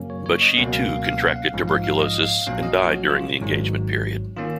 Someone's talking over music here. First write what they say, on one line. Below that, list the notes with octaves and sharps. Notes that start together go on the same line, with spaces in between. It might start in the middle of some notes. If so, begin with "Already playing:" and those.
But she, too, contracted tuberculosis, and died during the engagement period.
Already playing: F#2 C#3 F#3 A#3 C#4
C#5
C#5
D#5
C#2 B2 F#3 A#3 C#4 F#5
F5
F5
F5
F#5
F5
A#1 G#2 F3
F5
F5
D#5
F5
A#1 A#2 F#3 C#4 F5
D#5
C#5
F#4
F4
G#1 G#2 F#3
D#3 A#3 C#4 F4